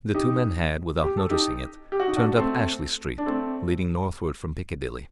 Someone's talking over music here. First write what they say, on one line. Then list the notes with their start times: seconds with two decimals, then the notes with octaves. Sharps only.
The two men had, without noticing it, turned up Ashley Street, leading northward from Piccadilly.
0.14 D#4 G4
1.04 G4
1.17 A4
1.30 D#4 G4
1.92 G4
2.00 F#4
2.08 D#4
2.16 D4 F#4
2.37 A3 C4
3.18 D4
3.26 A3 C4